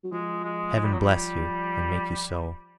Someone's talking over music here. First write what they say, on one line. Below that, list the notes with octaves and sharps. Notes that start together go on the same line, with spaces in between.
Heaven bless you and make you so!
F#3
F3 G#3
G#3
G#3
G3
F#3
G3